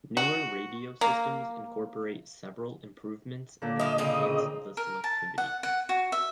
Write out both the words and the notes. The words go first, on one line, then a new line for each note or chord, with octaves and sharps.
Newer radio systems incorporate several improvements that enhance the selectivity.
F#4
A#3
A#2 D3
E4 F4 D#5
C#3 A#3 C4
A#4
A5
F#5
F#5
F#4
E5